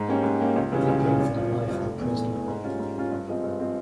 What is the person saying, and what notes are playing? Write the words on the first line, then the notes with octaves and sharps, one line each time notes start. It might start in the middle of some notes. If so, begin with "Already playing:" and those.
They gave them life in prison.
Already playing: G#2
G3 A#3 C#4 G4
G#2
G3 A#3 C#4 G4
C#2
C#3 E3 G3 C#4
C#2
C#3 E3 G3 C#4
G#1
G2 F3
G#1
G2 F3
F1
E2 E3
F1
E2 E3
G#2
G3 C#4 F4
G#2
G3 C#4 F4
G2
F3 G#3 C4
G2
F3 G#3 C4